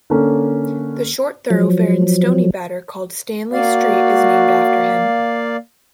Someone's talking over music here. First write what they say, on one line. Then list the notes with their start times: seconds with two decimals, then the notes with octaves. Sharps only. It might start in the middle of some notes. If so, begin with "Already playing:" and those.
The short thoroughfare in Stoneybatter called Stanley Street is named after him.
0.10 D3 A#3 C#4
1.50 F3 F#3
3.53 A#3 F#4 D5 F5